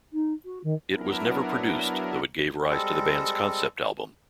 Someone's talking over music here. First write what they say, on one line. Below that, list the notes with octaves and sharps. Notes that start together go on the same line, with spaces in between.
It was never produced, though it gave rise to the band's concept album.
D#4
F#4
D#3
F#3 B3 D4 E4 A#4
G3 G#3 C4 A4